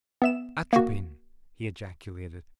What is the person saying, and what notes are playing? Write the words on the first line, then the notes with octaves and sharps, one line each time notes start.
"Atropin!" he ejaculated.
B3 E5 E7
A#3 F#4